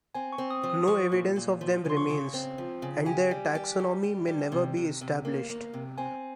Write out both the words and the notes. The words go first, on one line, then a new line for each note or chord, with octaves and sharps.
No evidence of them remains, and their taxonomy may never be established.
C4 G#5
C#6
C4
D#6
F3
D#6
F3 C#6
A#2
A#2
F3
C#3
C6
C#6
C#3
C4
F3
C#3
G4 G#5
G3
G4
G3
G4
G3
C3
C3
C3
A#3
A#3
C3
C4 G#5